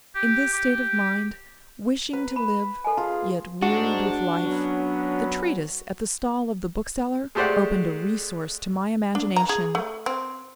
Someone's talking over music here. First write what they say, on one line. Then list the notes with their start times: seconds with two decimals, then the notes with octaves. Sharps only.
In this state of mind, wishing to live, yet wearied with life, the treatise at the stall of the bookseller opened a resource to my imagination.
0.15 G4
0.53 G4
2.13 B4
2.36 B5
2.84 A4 D#5 G#5
2.97 F4 G#4 A5
3.63 G#2 D4 F#4
4.43 F#3 B3 C#4
7.35 G#3 A3 G4 C5 D5 F#5
9.15 D4
9.36 A#5
9.49 G#4
9.75 A3
10.06 C4